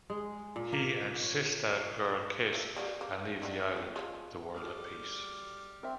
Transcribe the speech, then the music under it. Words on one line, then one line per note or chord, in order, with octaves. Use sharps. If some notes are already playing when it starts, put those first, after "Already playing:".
He and Sistah Girl kiss and leave the island, the world at peace.
G#3
A#2
A#3
C#5
F5
A#3 E4
G3 A#3 F#4
A#3
D3 D#3 E4
G3
F3 G#3
G3 F#4 G#4 A4 D6 F6
C4 A#4 E5